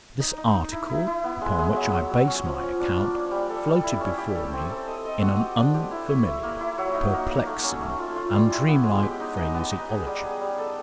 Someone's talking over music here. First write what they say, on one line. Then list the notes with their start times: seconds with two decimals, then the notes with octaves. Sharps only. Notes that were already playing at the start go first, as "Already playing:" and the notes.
This article upon which I base my account floated before me in an unfamiliar, perplexing, and dream-like phraseology.
0.20 D#4
0.38 D#4
0.55 D#4
0.72 E4
0.90 E4
1.07 E4
1.24 B3
1.41 G#3
1.59 G#3
1.76 F#3
1.93 F#3
2.11 F#3
2.27 C#4
2.46 F3
2.62 C#4
2.80 D4
2.97 A#3
3.14 D4
3.31 G3
3.49 A4
3.66 G3
3.84 E4
4.01 C#4
4.18 G4
4.36 A4
4.53 C4
4.70 A4
4.88 D#5
5.05 D#5
5.22 F#4
5.40 G4
5.56 D4
5.74 G4
5.91 E4
6.08 C#5
6.26 E4
6.43 A#3
6.61 E4
6.78 F#3
6.95 D#4
7.13 A#3
7.29 A#3
7.47 A3
7.64 C#4
7.81 A3
7.99 F4
8.16 F4
8.33 G3
8.51 E4
8.68 B3
8.85 G#3
9.02 G4
9.20 D#4
9.37 D#5
9.55 B3
9.72 D#4
9.89 G#4
10.07 G3
10.24 G#4
10.41 G3
10.58 A4